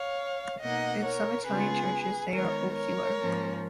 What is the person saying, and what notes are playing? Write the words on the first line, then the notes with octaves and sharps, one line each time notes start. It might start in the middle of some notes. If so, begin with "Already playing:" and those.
In some Italian churches they are ocular.
Already playing: C#5 F5
B2 A#3 D#4 D#5 F#5
A#4 C#5
C#3 G#3 B3 F4 G#4 B4
D#3 G#3 B3 A#4 C#5
A#4 C#5
G#2 F3 A#3 C#4